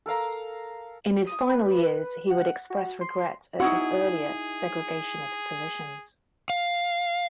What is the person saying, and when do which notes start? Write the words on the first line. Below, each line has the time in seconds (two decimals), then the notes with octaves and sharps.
In his final years, he would express regret at his earlier segregationist positions.
0.06 A4 A#4 F5 A#5
1.27 D#6
1.49 B4
2.31 F#5
2.70 F#4
3.01 C6
3.60 D#4 E4 F#4 G#4 F#5
6.50 F5